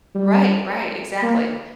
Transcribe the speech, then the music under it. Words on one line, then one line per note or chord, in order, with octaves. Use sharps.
Right, right, exactly.
G3
A#3